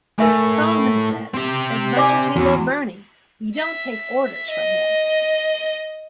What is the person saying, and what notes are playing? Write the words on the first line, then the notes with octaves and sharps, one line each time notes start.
Solomon said, As much as we love Bernie, we don't take orders from him.
A2 A#4 E5 G#5
C4 G4
D5 G#5 D6
E2 F#4
E5
D#5